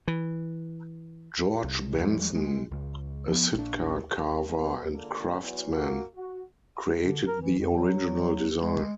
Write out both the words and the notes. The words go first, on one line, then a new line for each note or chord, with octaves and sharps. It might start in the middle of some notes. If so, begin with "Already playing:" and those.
George Benson, a Sitka carver and craftsman, created the original design.
E3
C2
E2 F3 G3 G#3
G#3
C#2
F3 B3
A#1 D4
B2
C#2 D3 A#3 A4
E2 F#3
A#3 F#4
F#4
D3
A#4
E3
F2
F#3
G#3